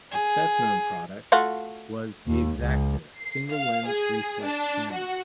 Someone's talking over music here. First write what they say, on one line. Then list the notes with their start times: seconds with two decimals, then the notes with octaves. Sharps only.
Its best-known product was the Exakta single-lens reflex camera.
0.12 G#4
1.32 A3 F4 F#4
2.27 D#2
2.59 C#2
3.19 C7
3.52 F5
3.86 G#4
4.44 D4
4.92 F#4